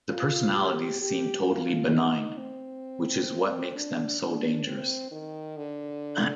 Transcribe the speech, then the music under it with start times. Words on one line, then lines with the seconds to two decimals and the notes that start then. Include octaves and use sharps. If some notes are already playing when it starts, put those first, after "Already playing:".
The personalities seem totally benign, which is what makes them so dangerous.
0.09 F4
0.55 G4
1.01 G4
1.46 F4
1.92 D#4
2.37 C4
3.74 D4
4.20 D4
4.65 C4
5.11 D#3
5.57 D3